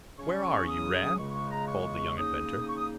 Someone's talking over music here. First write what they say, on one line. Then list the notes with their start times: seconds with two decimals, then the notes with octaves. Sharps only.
"Where are you, Rad?" called the young inventor.
0.18 C#3 F#3 C#4 C#6
0.68 D#6
1.18 C#2 C#3 G#3 C#6
1.34 C#6
1.50 A#5
1.67 C#6
2.17 C#3 A#3 D#4 D#6
2.68 C#6
2.77 D#6